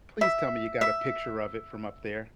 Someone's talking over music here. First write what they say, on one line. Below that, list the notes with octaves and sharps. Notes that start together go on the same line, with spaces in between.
Please tell me you got a picture of it from up there.
E5
E5